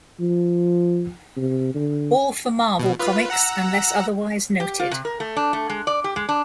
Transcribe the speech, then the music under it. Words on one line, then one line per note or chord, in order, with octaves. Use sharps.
All for Marvel Comics unless otherwise noted.
F3
C3
D3
B2
F4 B4
F#5 A#5 E6
G4
F4
C3
A#4
A3
D4
A3
G#3
D5
G4
G#3
D4